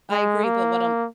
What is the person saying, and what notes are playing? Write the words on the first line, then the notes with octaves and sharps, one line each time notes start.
I agree, but what I'm
G#3
A#3